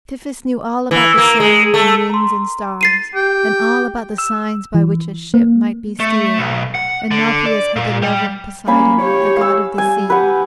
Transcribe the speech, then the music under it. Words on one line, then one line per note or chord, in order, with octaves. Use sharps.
Tiphys knew all about the sun and winds and stars, and all about the signs by which a ship might be steered, and Nauplius had the love of Poseidon, the god of the sea.
E3
A#3
G#3
A3
A#5 C6
A6 C7 D#7
G4 G5
E6
E3
A#3
A3
B1
F#5
D3
D5
A#2
G3
A#3 C#4 F5 G#5 B5
G4 C#5
F5 E6
G3 G#5
G4 B4 F#5